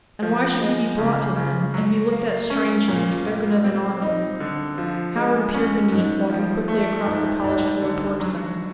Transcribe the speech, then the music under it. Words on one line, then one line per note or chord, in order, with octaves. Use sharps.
And why should he be brought to them, and be looked at strangely and spoken of inaudibly? Howard appeared beneath, walking quickly across the polished floor towards them.
F3
G#3
C#3
C#3
F#3
A#3
C#4
A#2
G3
C4
D#4
D3
F3
G#3
C#4
G#2
F3
A3
G#2
G#2
D3
F#3